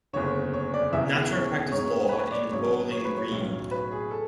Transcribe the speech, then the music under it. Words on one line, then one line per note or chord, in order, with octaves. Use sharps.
Natcher practiced law in Bowling Green.
F#1 E2 D3 C#5
C#5
D5
E1 E2 C#3 E3 E5
C#5
G#2 G#3 C#4 C#5
B4
C#5
D5
G#1 G#2 F#3 C#4 C#5
C#5
B4
C#5
B1 A2 F#3 C#4
B4
G#4
A4